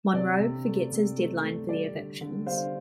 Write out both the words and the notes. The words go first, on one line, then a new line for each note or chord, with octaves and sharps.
Monroe forgets his deadline for the evictions.
C3 D5
C3
A3
C3
A3
A3
G3 D5
D3
D3
G3 C5 F5